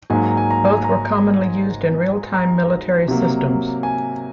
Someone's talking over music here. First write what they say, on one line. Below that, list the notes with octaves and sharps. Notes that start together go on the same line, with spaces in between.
Both were commonly used in real-time military systems.
G#2 F#3 A#3 G#5
A#5
G#5
A#5
G#5
A#5
A#5
C3 F#3 A#3
G#5